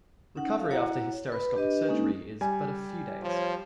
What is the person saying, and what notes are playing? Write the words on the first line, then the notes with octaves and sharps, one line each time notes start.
Recovery after hysteroscopic surgery is but a few days.
C#4 D#4 F#5
A4 F5
E4 F#4 C#5 F#5 A#5
B4 B5
D4 G4 B4 D#5
G#3 A#3 C#4 D#4 A4
G3 G#5
F3 C#5